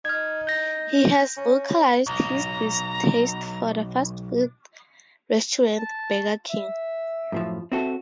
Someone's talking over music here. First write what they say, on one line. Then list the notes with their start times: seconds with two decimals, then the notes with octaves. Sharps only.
He has vocalized his distaste for the fast food restaurant Burger King.
0.05 D#4 F6 G#6
0.47 G6 A#6
1.37 C#4
2.07 B1 A#5
5.78 A5
6.49 E5
7.32 F#2 A2 F3
7.72 C4 F#4 A4 E5